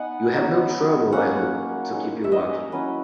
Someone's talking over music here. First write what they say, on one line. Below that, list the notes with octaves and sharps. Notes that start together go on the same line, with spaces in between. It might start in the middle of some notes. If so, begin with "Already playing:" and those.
You have no trouble, I hope, to keep you waking?
Already playing: B3 D#4 F#5 G#5
F#3 B3 D#4
F#3 A#3 C#4 F#5
G#3 D#4
E5
D#5
F#3 C#4 E4 B4